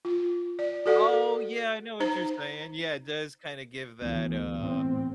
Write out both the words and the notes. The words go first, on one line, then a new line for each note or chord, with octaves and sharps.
Oh, yeah, I know what you're saying. Yeah, it does kinda give that, uh,
F4
D5
F#4 A4 D5 F#5
D#4 C5 A#5
D2 E3 B3
A2 C4